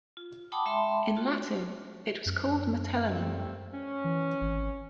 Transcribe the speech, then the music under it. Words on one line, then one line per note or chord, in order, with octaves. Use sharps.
In Latin, it was called "Metellinum".
F4
F#5 G5 A5 B5 D6 D#6
G#3 E5 G5 A5 B5 C6
F4 F#4
F#2
G3 A3 C4
C#4
E3
G#1